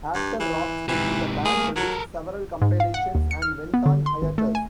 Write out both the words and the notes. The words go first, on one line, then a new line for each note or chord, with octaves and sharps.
After "Rock Steady", the band released several compilations and went on hiatus.
G2
E3
G#2 C3 E3
A3 A#3 G#4
F#3 A4 A#4
G#2
F5
F#5
D#2
C#7
F6
B3
D3
C6
G#1
A3
G#5